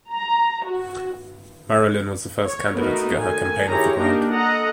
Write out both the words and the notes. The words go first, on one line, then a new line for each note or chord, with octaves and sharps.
Marilyn was the first candidate to get her campaign off the ground.
A#5
F#4
C#5
A3 B3 D#4 F#4 A#4 B4
D#3 A3 G#5
D#3 E4 G4 G#4 C#5 A#5
A#3 D4 D#4 G4 A#4
A4 D#5 F#5 A#5